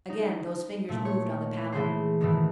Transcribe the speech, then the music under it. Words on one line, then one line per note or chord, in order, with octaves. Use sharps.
Again those fingers moved on the panel.
D#4
A#2 A3
C#5
E3 A3 G#4 C5
G#2 B2 D#3 E3 A3